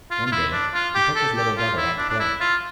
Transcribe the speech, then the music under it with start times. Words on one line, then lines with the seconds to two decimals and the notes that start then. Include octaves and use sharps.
One day, he took his little brother out to play.
0.11 F4
0.26 F4
0.32 E4
0.53 D4
0.74 F4
0.95 G4
1.16 A4
1.36 G4
1.57 F4
1.78 E4
1.98 D4
2.10 D4
2.20 E4
2.41 F4